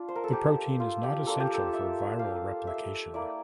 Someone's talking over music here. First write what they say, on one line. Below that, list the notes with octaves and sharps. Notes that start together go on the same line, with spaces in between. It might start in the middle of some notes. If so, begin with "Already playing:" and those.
The protein is not essential for viral replication.
Already playing: D4 F4
C5
A#4
A4
G4
F4
G4
A#3 D4 F4 A4
G4
A4
E5
F5
E5
A#3 E4 D5